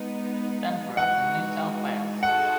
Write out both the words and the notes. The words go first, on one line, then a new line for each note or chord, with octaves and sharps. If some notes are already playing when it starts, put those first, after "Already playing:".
Dunn grew up in New South Wales.
Already playing: G#3 B3 D#4
E3 G#3 D#4 F#4 F#5
G#3 D#4 F#4 A4 F#5